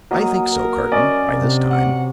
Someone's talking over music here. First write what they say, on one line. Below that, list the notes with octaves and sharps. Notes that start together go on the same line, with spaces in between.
"I think so, Carton, by this time."
F#3 A#3 D#5 D#6
A#4
C#4 D5 D#5
C3
F#5